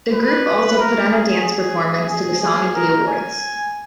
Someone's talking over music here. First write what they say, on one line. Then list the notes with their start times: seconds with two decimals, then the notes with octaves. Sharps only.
The group also put on a dance performance to the song at the awards.
0.14 B4
0.79 A#4
1.12 G#4
1.43 G#4
2.10 G#4
2.41 G#4
2.75 A#4
3.08 G#5